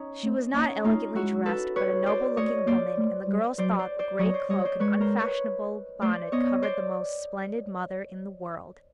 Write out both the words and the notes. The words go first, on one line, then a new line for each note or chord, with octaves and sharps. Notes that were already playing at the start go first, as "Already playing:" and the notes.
She was not elegantly dressed, but a noble-looking woman, and the girls thought the gray cloak and unfashionable bonnet covered the most splendid mother in the world.
Already playing: C#4 D#4
A3
A#3 C#4 D#4
A3 D#4 F4
G#3 E4 F#4
A4 B4
B4 C#5
C5 D5
A3 C#5 D#5
A#3 C5 D5
A3
G3
F#3 C5 D5
C5 D5
C5 D5
F#3 C#5 D#5
C5 D5
G3 C#5 D#5
C5 D5
G#3 B4 C#5
A#4 C5
B4 C#5
A3 C5 D5
B3 C#5 D#5
C5 D5